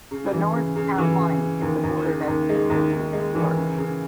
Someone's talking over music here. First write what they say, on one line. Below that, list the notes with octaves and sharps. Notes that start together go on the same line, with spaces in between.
The north town line is the border of Essex County, New York.
C#3
E3
C#3
C#3
E3
C#3
C#3
D#2
D#2
C#3
D#2
G#3
D#2
D#2
G#3
E3
C#3
C#3